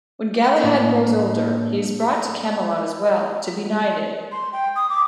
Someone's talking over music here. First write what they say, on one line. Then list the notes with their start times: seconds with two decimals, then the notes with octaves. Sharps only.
When Galahad grows older, he is brought to Camelot as well, to be knighted.
0.64 A2 A#3 D4
4.32 C6
4.53 G5
4.76 D#6
4.89 D6